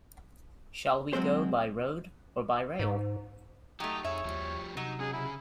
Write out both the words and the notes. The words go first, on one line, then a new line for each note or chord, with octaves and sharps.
Shall we go by road or by rail?
F#3 G#3 C4 C5
G#2
F#3 A3 D#4 G4
F2 D#4 G#4 C#5 E5
D#2 F3 G3
C3 F#3 D#4
C#4 G#4 D#5
C#3 E4 G#4